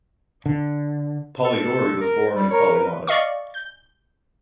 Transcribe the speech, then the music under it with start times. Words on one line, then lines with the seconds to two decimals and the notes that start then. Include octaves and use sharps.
Polydouri was born in Kalamata.
0.46 D3
1.44 A4
2.00 A#4
2.35 G3
2.50 A#4 C#5
2.74 B4
3.07 D5 D#5 F5 C#6
3.54 G6